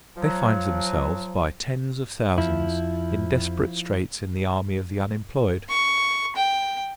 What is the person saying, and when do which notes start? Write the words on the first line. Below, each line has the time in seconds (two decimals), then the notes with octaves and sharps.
They find themselves, by tens of thousands, in desperate straits in the army of the unemployed.
0.17 F3 F#3
2.38 F2 F3 E4
5.69 C#6
6.36 G5